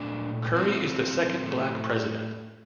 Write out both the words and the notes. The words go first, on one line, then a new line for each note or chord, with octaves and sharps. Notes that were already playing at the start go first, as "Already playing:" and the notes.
Curry is the second Black president.
Already playing: A#2 A3 D4
A2 A3 C4
A2 A3